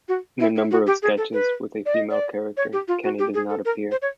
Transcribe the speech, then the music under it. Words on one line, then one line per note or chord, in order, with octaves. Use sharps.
In a number of sketches with a female character, Kenney does not appear.
F#4
E4
E4
F#4
G4
G#4
A4
B4
D5
D#5
D5
C#5
G4
F4
F#4
G4
G#4
A4
A#4
C5
C#5